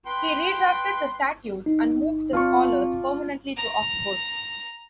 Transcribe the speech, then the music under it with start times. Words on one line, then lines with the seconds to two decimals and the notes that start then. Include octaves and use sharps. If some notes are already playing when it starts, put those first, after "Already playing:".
He redrafted the statutes and moved the scholars permanently to Oxford.
0.07 B4 G5 C6
1.66 D#4
2.33 C4 F4 D5 A5 C#6
3.57 A#5